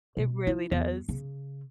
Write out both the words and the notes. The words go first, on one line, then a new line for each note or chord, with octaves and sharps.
It really does.
B2
E4
E2
C#3